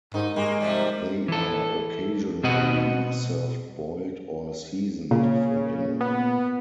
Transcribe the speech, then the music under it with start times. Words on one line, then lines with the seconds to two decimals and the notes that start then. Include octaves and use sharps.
They are occasionally served boiled or seasoned for dinner.
0.14 G#2 D#3 D#4
0.36 D#3 G#3 A#3
0.60 C3 F3 G3
1.28 E3 A4
2.43 B2 C4 F#4 D#5 F#5
5.11 A#2 C#3
6.01 B3